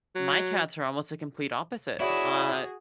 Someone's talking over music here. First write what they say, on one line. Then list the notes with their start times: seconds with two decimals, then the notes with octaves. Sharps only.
my cats are almost the complete opposite, uh,
0.15 F#3
2.00 E4 F#4 G#4 C#5 D5